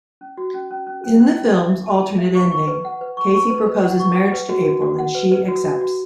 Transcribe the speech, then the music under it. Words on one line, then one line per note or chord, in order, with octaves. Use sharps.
In the film's alternate ending, Casey proposes marriage to April and she accepts.
C#4
F#4
C#4
C#4
C#4
C#4
C#4
C#4
E5
E5
A5
A5
E5
C#6
C#6
B4
F#5
B4
C#6
C#6
B4
B4
F#5
C#6
F#5
B4
F#4
F#4
F#4
F#5
B4
B4
F#4
F#4
F#4